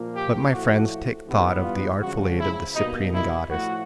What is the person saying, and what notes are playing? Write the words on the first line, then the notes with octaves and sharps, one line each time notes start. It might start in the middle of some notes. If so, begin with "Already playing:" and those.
But, my friends, take thought of the artful aid of the Cyprian goddess.
Already playing: A#2 F3 A#3
G4
A2 F3 A3 F#4
G2 E3 G3 B3
F4
C#3 F3 G#3 F#4
E4
B2 G3 A#3 D#4
E4
A2 F3 A3 F#4